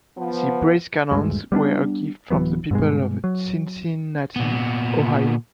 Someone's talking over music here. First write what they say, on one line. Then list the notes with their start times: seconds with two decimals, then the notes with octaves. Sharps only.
The brass cannons were a gift from the people of Cincinnati, Ohio.
0.17 F3 B3
1.11 D#1 D2 G2 G#3
1.52 G3 B3 C#4 D4
2.30 D1 E3 F#3 B3
2.71 G2 B2 G#3
3.24 F#3
4.36 A#2 B3